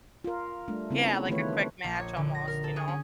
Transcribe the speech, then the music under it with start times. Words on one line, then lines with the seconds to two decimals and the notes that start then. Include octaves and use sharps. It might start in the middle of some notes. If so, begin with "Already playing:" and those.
Yeah, like a quick match almost, you know?
0.24 F4 A#4
0.68 G3 A3 D4
0.91 C#3 B3 C4 E4
1.29 D#3 E3 A3 F4 B4 C#5
1.84 A#1
2.00 C#5
2.17 D3
2.35 A#6
2.48 A#4
2.64 A4
2.76 G#4
2.88 C#4